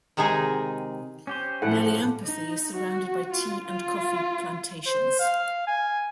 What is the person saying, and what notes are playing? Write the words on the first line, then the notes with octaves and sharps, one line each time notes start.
Nelliampathy is surrounded by tea and coffee plantations.
C3 D#3 G#3 D#4 G#4
C#4 G4 C5
A2 F3 E4 A4 F#5
D#4
F#4
F4
F4
C5
F5
G#5